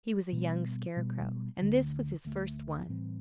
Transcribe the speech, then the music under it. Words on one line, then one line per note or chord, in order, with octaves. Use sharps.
He was a young Scarecrow, and this was his first one.
B2 G3 B3
B2 G3 B3
D2 D3 A3
D2 D3 A3
A2 E3 G3 C4